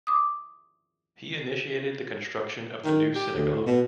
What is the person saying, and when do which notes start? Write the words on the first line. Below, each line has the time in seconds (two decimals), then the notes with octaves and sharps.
He initiated the construction of the new Synagogue.
0.07 D6 D#6
2.84 D#3
3.15 G4
3.35 D2
3.54 A2
3.66 B2